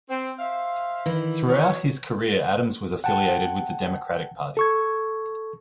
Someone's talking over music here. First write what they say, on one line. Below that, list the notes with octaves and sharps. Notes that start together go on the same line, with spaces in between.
Throughout his career Adams was affiliated with the Democratic Party.
C4
C5 E5 F5
D#3 E3 E4
B2 C#5
F#5 G5 A5
A4 C#6 G#6